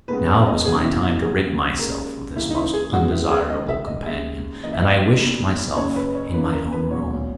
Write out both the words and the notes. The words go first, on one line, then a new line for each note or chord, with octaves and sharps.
Now was my time to rid myself of this most undesirable companion, and I wished myself in my own room.
D#2 C#3 G#3 B3 B4
C#5
D#5
C#2 B2 F#3 A#3 C#4 G#4
E4
E4
D#2 C#3 F#3 A#3 G#4
D#2 C#3 G#3 A#4
D#2 C#3 E3 A#3 E4
D#4
E4
G#4
C#2 C#3 G#3 B3 F#4
E4
G#4
C#2 C#3 G#3 D#5
E5
D#5
D#2 C#3 G#3 E5
F#2 C#3 E3 A#3 D#5
E5
D#5
E1 D#2 D#3
F#1 F#2 C#3 C#5
B4
C#5
F#2 E3 A#3 B4
A#4
B4
B1 A#2 F#3 A#3 C#4 C#5